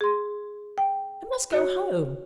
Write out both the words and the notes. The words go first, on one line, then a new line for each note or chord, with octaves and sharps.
I must go home.'
G#4 C6
G5
F#4 C#5